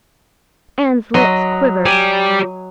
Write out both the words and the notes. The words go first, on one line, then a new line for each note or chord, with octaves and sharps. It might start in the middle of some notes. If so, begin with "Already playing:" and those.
Anne's lips quivered.
F#3 D#5 C6
G4 D5 G#5